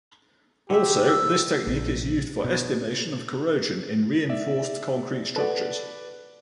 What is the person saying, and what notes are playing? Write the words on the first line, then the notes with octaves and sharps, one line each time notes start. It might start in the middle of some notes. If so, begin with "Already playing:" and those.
Also, this technique is used for estimation of corrosion in reinforced concrete structures.
D3 F#3 G4 E5
E6
A#1
B2
D5 E5
A4 B4 D5 F#5